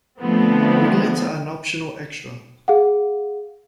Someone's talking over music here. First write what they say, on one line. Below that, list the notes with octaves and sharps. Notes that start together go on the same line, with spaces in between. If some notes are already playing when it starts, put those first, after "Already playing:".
Winglets are an optional extra.
D3 F3 A3 B3 C4
G#4 F5 F#5